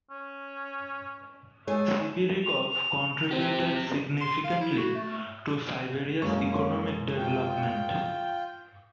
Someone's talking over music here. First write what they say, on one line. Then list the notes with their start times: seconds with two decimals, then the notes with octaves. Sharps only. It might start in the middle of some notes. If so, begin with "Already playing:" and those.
Sibiryakov contributed significantly to Siberia's economic development.
0.10 C#4
1.67 G#3 A3 G#4 C#5
2.43 F7
3.31 C4 G4
4.21 C6
4.44 F5
4.61 E4
4.78 F#4
4.95 A3
6.22 F#2 G#3 A#3 C#4 C#6
7.17 F4 G5